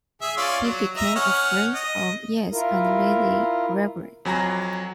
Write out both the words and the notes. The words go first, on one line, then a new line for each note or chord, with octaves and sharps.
He became a friend of Yeats and Lady Gregory.
G#4 E5
C#4 F4 D5
F#3
D#5 E5 A#5
C#4 F#5 F6
D#5
E4 F4 A#4
F2 F#3 G#5 A#5 A#6